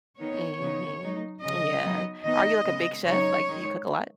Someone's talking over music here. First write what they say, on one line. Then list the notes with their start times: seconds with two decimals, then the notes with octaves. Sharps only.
Mhm, yeah. Are you, like, a big chef? Like, do you cook a lot?
0.20 D#3 B3 D#4 C#5
0.61 C#3 B3 D#4
1.02 F#3 D#4
1.42 C#3 F#3 C#4 D#5
1.84 F#3 B3 D#4
2.24 D#3 B3 D#4 D#5
2.66 C#3 G#3 B3
3.07 C#3 F#3 D#4 C#5
3.48 D#3 G#3 D#4